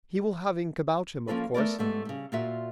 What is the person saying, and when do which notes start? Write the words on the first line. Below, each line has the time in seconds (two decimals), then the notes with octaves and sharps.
He will have ink about him, of course.
1.27 F3 A#3 C#4 F4 A4 B4
1.54 A3 B3 A#4 D5
1.78 G#2 G3 A3 B3
2.05 C#3 G3
2.32 A#2 F4 F#4 A#4 E5